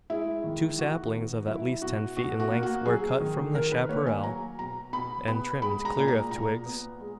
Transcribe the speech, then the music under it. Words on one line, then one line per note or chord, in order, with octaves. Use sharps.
Two saplings of at least ten feet in length were cut from the chapparal, and trimmed clear of twigs.
G#3 E4
D#3
D#3 F#4
B3
F#3 E4
B2 F#4
B2 F#4
F#4
A#3
F#4
F#3 G#4
D#3
D#3 A#4
B4
A#3 C#5
G#5
F#3 A#5
B2 A#5
B2 B5
B3 B5
G#3 B5
A#5
A#2
A#5
A#2 A#5
B3
G#3